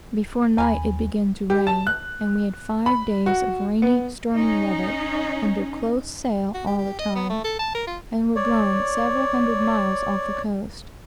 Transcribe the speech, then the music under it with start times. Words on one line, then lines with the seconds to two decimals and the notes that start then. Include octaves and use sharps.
Before night it began to rain; and we had five days of rainy, stormy weather, under close sail all the time, and were blown several hundred miles off the coast.
0.58 D#2 G#5 A#5 B5
1.50 G4
1.67 A5
1.87 F#6
2.86 B5
3.26 F#4
3.82 B3
4.34 C#4 D#4
6.54 F#4
6.67 G4
6.78 G4
7.00 D#5
7.15 B3
7.30 A3
7.44 A4
7.59 A5
7.75 A#4
7.87 F4
8.36 C#5 D5